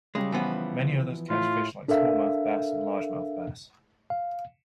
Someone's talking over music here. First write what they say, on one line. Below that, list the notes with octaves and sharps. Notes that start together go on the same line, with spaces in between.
Many others catch fish like smallmouth bass and largemouth bass.
C#3 G3 G#3
E3 F3 B3
A2 F4
D4 A4 A#4 E5 F5
F5